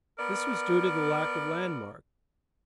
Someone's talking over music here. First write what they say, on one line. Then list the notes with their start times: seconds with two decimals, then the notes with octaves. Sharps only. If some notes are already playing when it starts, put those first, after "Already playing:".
This was due to the lack of landmarks.
0.19 B3 A#4 D5